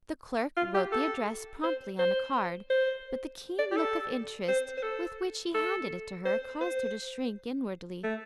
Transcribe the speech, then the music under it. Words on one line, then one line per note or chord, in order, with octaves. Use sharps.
The clerk wrote the address promptly on a card, but the keen look of interest with which he handed it to her caused her to shrink inwardly.
F4
G4
A4
C5
C5
C5
D5
G4
A4
C5
C5
A4
A4
C5
C5
A3